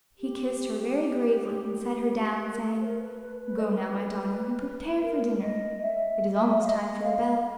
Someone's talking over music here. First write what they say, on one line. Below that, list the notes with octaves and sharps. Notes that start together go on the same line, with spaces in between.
He kissed her very gravely, and set her down, saying, "Go now, my daughter, and prepare for dinner; it is almost time for the bell."
G4
A#4
A4
C5
A#4
B4
B4
B4
D#5
B4
A#4
B4
A#4
D#5
E5
F5
D#5
F5